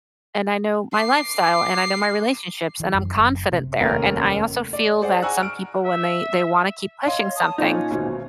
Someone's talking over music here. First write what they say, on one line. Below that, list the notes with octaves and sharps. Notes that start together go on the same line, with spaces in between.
and I know my lifestyle, and I know my relationships, and I'm confident there, and I also feel that some people when they they wanna keep pushing something
D6 C7
E3
F#2
F#1
C3
F1 D#2 C#4 A#4
D5
G#4 C5 D5 F#5
F#5 G#5 A#5 C#6 E6 F#6
F6 D7
E5
C#5 D#5 F5 C6
A5 D#6
A#2 C#4 D#4 F4
G#1 D2 B2